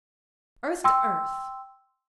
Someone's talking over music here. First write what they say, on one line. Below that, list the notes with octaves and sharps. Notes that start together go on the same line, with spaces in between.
Earth to earth!
G5 C6 E6